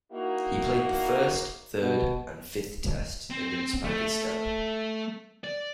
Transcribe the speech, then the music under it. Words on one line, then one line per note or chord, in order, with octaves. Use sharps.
He played the First, Third and Fifth Tests against Pakistan.
A#3 D#4 E4 F#4
B2
C4
A3
D5